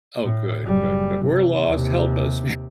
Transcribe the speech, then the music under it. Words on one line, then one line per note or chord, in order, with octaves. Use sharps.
Oh, good, good, good. "We're lost. Help us."
A2
F#1 G3
C3
D#2 C3